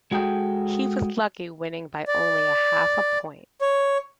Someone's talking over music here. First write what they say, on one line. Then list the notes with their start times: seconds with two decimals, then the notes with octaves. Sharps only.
He was lucky, winning by only half a point.
0.11 G#3 F#4 G#4 A4 G5
2.07 D5
3.61 C#5